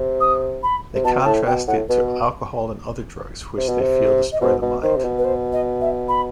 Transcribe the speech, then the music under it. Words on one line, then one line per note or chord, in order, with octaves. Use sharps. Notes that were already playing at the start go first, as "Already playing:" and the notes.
They contrast it to alcohol and other drugs, which they feel destroy the mind.
Already playing: C3
D#6
B5
C3
B2 A5
G5
A2 A5
B2 G5
A2 F#5
B2 B4
C3
B2
C3
D#5
B2 C5
B2
D#3 C5
C3
B2
B4
C5
D#5
E5
B5